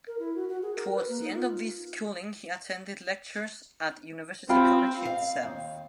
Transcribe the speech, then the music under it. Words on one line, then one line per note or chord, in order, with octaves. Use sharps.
Towards the end of his schooling he attended lectures at University College itself.
A#4
E4
F#4
F#4
G#4
A#4
B4
A#3
D#4
F4
C4 F4 G5 B5
F5
D#2